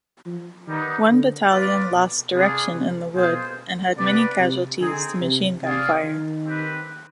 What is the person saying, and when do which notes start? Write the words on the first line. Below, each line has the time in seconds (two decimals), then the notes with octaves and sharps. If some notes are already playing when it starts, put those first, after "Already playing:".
One battalion lost direction in the wood and had many casualties to machine-gun fire.
0.26 F3
0.67 D#3 G3 B3 D#4
1.09 D3
1.49 F4 B4 D5
1.91 B2
2.32 C3 B3 D4 F4 G#4 D5
2.74 C3
3.15 B2 F4 G#4 C5
3.97 C3 B3 D4 G4 B4 D5
4.39 C3
4.80 D3 C4 D#4 G#4
5.21 C3
5.62 C3 F4 G#4 D5 F5
6.03 D#3
6.45 C4 G4 B4